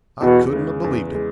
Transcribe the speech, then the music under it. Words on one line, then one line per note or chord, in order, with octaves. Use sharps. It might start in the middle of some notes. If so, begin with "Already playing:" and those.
I couldn't 'a believed it.
E2 B2
C#3 G#3
E2
G#3